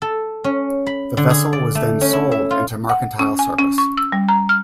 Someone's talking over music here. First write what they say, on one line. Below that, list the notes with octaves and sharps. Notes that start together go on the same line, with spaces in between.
The vessel was then sold into mercantile service.
A4
C#4
B5
D3
G#4
D5
A3
C#4
E4
E5
F4
F#5
C#4
G#5
C#4
C#6
E6
G3
A#5
F6